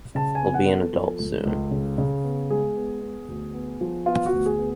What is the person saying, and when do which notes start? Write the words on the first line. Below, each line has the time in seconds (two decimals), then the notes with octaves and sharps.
He'll be an adult soon.
0.15 C#3 A5
0.35 G#5
0.41 B3
0.54 F#5
0.67 B3
0.74 A4
0.93 F3 A4
1.19 C#2
1.45 C#2
1.71 C#3
1.98 C#3
2.24 B3
2.50 G#3 G#4
2.76 B3
3.02 B3
3.28 D2
3.54 B3
3.81 F3
4.06 B3 F4
4.26 F#4
4.33 D2
4.46 G#4
4.58 B3